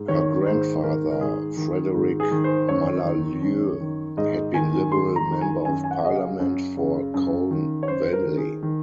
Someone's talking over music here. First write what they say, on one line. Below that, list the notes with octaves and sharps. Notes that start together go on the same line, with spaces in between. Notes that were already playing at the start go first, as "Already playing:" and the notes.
Her grandfather, Frederick Mallalieu, had been Liberal Member of Parliament for Colne Valley.
Already playing: G#2
D#3 C#5
G#2 C5
D#3 A#4
A#4
G#2 G#4
D#3
G#2
G#4
D#3
C5
F#2 C#5
D#3
F#2
D#3
G#2 D#5
D#3 G#5
G#2 C6
A#5
D#3
G#5
F#2 G#5
G#5
F#5
C#3 D#5
F5
F#2
C#3
F#2
D#3
C#5
F#2 C5
A#4
D#3
G#4
D#3